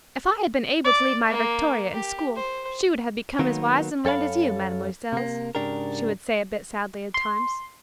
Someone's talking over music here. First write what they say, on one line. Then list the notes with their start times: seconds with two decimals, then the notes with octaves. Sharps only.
"If I had been able to leave my Victoria in school she would have become as wise and learned as you, Mesdemoiselles," she would say a bit sadly at times.
0.84 D5
1.30 A#3
1.94 G4
2.36 C5
3.39 D#3 F#3 A#3 B3
4.05 F#2 A4 C#5 F5 B5
5.13 C3 A#3
5.55 G#2 C#3 D4 G4 A#4
7.14 C6